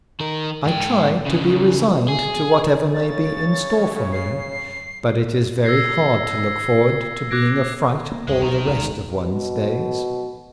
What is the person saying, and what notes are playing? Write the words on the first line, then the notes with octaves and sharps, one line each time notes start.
I try to be resigned to whatever may be in store for me, but it is very hard to look forward to being a fright all the rest of one's days.
D#3 A#4
G#2 G5
C#3 E3
G#4
C#3 C#5 A6
C7
E6 G#6 A#6 C7
D6 F#6 G#6 A#6 D7
A#3
C#2 G2 G#3
B1 D#3 F#3 A#4
F#1 C#2 G2
B2